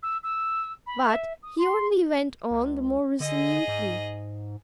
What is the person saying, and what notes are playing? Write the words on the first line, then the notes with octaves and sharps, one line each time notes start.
But he only went on the more resolutely.
E6
E6
B5
E5
D#6
C6
C#2
D3 G#4 D#5
G#2